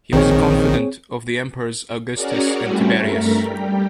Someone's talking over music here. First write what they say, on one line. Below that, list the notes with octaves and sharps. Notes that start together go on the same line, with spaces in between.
He was a confidant of the emperors Augustus and Tiberius.
A#1 D#3 C4 G#4 C#5
C#4 F#4 G#4 A#4 C#5 D5
G3 A3 C4 C#4 E4 F#4
G2 A3 A4 A#4 A#5 B6
G3 G4